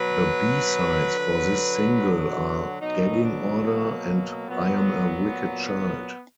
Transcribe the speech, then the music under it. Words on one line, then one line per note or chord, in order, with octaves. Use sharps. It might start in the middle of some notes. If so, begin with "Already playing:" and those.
The B-sides for this single are "Gagging Order" and "I Am a Wicked Child".
Already playing: B2 F#3 B4
D3 F#3
F#4
B2 F#3 D#4
D4
A#3
A#2 F#3 B3